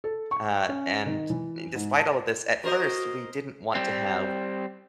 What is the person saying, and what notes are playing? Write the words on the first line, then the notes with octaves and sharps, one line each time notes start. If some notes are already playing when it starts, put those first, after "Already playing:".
uh, and despite all of this, at first we didn't want to have
A4
C#6
C#4
D#3
E3
G#2
A5
F#4 A#4 C5 D#5
G3 C4